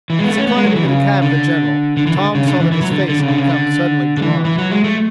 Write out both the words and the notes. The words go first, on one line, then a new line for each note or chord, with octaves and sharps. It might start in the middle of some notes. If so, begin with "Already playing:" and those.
As he climbed into the cab of the General, Tom saw that his face had become suddenly drawn.
E3
G#3
B3
A3
C#4
B3
G#3
F#3
E3
C#3
D3
D3
E3
D3
C#3
D3
E3
E3
F#3
D3
D3
C#3
D3
C#3
D3
D3
E3
E3
F#3
G#3
A3